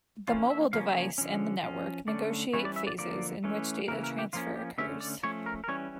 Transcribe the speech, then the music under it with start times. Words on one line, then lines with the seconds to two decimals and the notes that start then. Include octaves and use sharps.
The mobile device and the network negotiate phases in which data transfer occurs.
0.28 E3 A#3 C#4 F4
0.50 E5
0.73 C#3 F3 A#3 C#4 F5
0.89 E5
1.18 D3 F3 C#4
1.63 F3 C#4
2.08 D3 A3 C#4 D5
2.53 E3 G3 C#4 C#5
2.65 D5
2.76 E5
2.87 D5
2.98 D3 F3 A#3 D5
3.44 E3 A3 C#4
3.88 C#3 E3 A#3 A#4
4.04 A#4
4.19 G4
4.33 F3 A#3 C#4 F4
4.56 G4
4.78 D3 A3 C#4 E5
5.00 D5
5.23 F3 A3 C#4 C#5
5.46 A#4
5.64 A#4
5.68 E3 G3 C#4 C#5